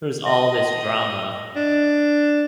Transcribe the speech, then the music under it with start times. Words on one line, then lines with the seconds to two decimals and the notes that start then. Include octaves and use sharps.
"There's all this drama."
0.26 D#5
1.56 D4